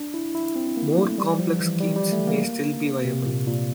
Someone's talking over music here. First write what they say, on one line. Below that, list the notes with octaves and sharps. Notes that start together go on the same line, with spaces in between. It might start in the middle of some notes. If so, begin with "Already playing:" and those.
More complex schemes may still be viable.
Already playing: D4
E4
E4
C4
A#3
A3
G3
F3
E3
G3
G3
A3
A#3
C3
A#2
A#2